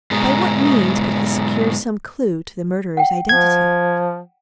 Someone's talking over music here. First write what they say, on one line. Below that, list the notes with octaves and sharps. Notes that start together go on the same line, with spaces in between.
By what means could he secure some clue to the murderer's identity?
G#2 B2
F#5 G5
F3 G#6